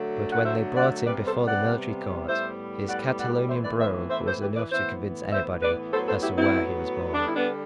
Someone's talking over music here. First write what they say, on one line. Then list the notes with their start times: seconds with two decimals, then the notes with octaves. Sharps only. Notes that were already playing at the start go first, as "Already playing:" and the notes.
But when they brought him before the military court, his Catalonian brogue was enough to convince anybody as to where he was born.
Already playing: D3 F#3 A3
0.33 F#5
0.45 C5 E5
0.76 D5 F#5
1.06 C3 G3 B3 B4 D5
1.26 A4 C5
1.47 D5 F#5
2.27 A2 G3 B3 C5 E5
2.89 D5 F#5
3.19 D5 F#5
3.49 A2 E3 B3 C5 E5
3.64 B4 D5
3.80 C5 E5
4.10 C5 E5
4.25 A4 C5
4.41 G4 B4
4.56 B4 D5
4.71 A2 E3 B3 C5 E5
5.32 C5 E5
5.62 B4 D5
5.92 A2 F#3 B3 A4 C5
6.08 A4 C5
6.23 E4 G4
6.38 C4 E4
7.14 D3 G3 B3 D4
7.26 E4
7.36 B3 D4